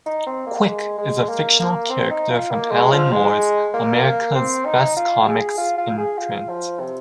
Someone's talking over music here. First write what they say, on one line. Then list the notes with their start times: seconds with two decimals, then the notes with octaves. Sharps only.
Quick is a fictional character from Alan Moore's America's Best Comics imprint.
0.06 D#4
0.27 C4
0.47 A#3
0.67 G#3
0.98 G#3
1.29 A#3
1.60 A#3
1.90 C4
2.10 D#4
2.30 F4
2.51 A#3
2.71 G#3
2.92 F3
3.12 G#3
3.74 A#3
4.04 A#3
4.35 C4
4.66 D#4
4.96 F4
5.27 G#4
5.58 F4
5.78 F4
5.98 G#4
6.18 F4
6.49 F3
6.80 C3